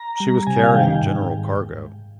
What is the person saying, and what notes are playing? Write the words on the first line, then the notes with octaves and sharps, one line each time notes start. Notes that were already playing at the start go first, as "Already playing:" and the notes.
She was carrying general cargo.
Already playing: A#5
G3
C3 G#5
F5
D#3 G5
G#2